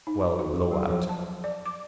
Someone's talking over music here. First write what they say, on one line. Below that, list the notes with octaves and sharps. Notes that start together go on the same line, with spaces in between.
Swell blowout.
D#4
F#4
F#3
F3
A5
D5
D6